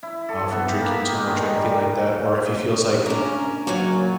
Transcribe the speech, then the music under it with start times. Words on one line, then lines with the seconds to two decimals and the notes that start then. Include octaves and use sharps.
uh, from drinking too much or anything like that. Or if he feels like,
0.03 E4
0.29 A4
0.51 B3
0.68 G4
0.82 A#3
1.14 G#3
1.27 D#3
1.56 G3
3.06 C#3 A#3 C#4 D4 A#4
3.67 F#1 F#3 A#3 F4 C#5 F#5 G#5